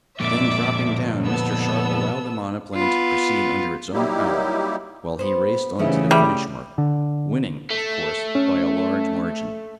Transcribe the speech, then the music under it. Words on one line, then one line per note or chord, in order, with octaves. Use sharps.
Then, dropping down, Mr. Sharp allowed the monoplane to proceed under its own power, while he raced on to the finish mark, winning, of course, by a large margin.
F2 A#2 D5 E5 D6
B3 A4 E6
B3 F4
F#3 G3 A#3 D#4 E4 G4
B3 C5
C#3 E3 G3 A3 B3 D#4 G#4 E5
F#3 G3
D3
A3
C#4